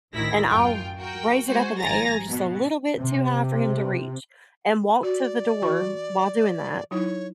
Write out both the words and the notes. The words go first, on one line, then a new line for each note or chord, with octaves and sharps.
and I'll raise it up in the air just a little bit too high for him to reach and walk to the door while doing that,
A1 D2 D#3 E4 A#6 B6
F#2 F4 G5
F#4 A#4 G5
G#3 F#4 C5 G#5
G#1 F3 G#5 A#5 A6 A#6
B2
C3
F#4 D5
E3 F#4 C#6
F#3 D#4 E4 C#5